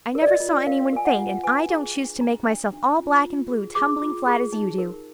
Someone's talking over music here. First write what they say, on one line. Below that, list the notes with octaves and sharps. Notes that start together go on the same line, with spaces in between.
I never saw anyone faint, and I don't choose to make myself all black and blue, tumbling flat as you do.
A#4
D5
D#5
F4
A#4 F5
A#4 G#5
F#5
F4
B4 G#5
G#4
D4
D4 A#5
D4
D4
F4
F4
G#4
G#4 D6
F4
G#4
D#4
A#4